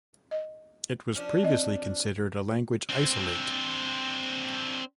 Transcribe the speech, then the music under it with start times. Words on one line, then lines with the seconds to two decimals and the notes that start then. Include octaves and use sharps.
It was previously considered a language isolate.
0.31 D#5
1.15 F3 C#4 D4
1.43 C4 D#5
2.89 C4 D4